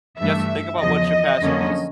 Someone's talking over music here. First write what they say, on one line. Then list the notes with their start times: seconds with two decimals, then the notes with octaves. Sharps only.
you have to think about what your passion is,
0.19 G2 E3 A3 D4 E5
0.79 E2 C#3 F3 D#5
1.40 F2 D3 F#3 A#3 C#4